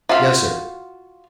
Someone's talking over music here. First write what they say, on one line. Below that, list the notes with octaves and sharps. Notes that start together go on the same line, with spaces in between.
"Yes, sir."
F4 F#4 E5 F5